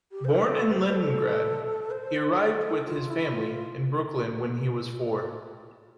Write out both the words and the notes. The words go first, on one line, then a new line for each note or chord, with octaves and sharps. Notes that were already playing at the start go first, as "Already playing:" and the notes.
Born in Leningrad, he arrived with his family in Brooklyn when he was four.
G4
C5
A#4
A4
C5
A4
C5
A4
F4
E4
F4